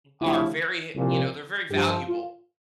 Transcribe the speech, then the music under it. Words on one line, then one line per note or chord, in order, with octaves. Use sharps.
mm are very he you know, they're very valuable.
D2 C3 F3 E4
C2 A#2 F3
G2 F3 G4
F4